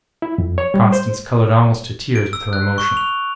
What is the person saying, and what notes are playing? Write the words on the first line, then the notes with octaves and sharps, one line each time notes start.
Constance coloured almost to tears with her emotion.
E4
F2
C#5
G3
C5
D7
E6
F#6
C#6
F7